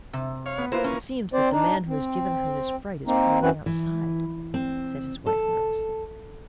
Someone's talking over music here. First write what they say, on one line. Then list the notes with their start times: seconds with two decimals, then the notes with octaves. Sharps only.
"It seems that the man who has given her this fright is prowling outside," said his wife nervously.
0.13 C3
0.46 C#5 F5
0.58 B3
0.72 A#3 E4 F4 B4 C5
0.84 C#4
1.34 C4 C5 D5
1.52 D4 D#4
1.89 C4
3.07 A#3 C4 D#4
3.42 F#2 E3 C4 C#4 F#4 B4
3.66 E3
4.54 C4
5.26 A4